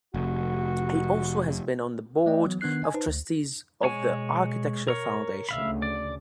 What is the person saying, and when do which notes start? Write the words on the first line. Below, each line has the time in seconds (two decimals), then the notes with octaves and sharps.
He has also been on the Board of Trustees of the Architecture Foundation.
0.14 F1 F#4
2.26 A3 D5 D#5 G5
2.45 E3 F#3 B3
2.61 D#3 B3 D4 F#6 C7
2.83 D#5 G#5
2.94 D#4 B4 C5 A5
3.07 D2
3.83 B2 G#3 C#5 G#5
4.88 A#4 C#5
5.49 D2 C#3 E5 F5 B5
5.82 D5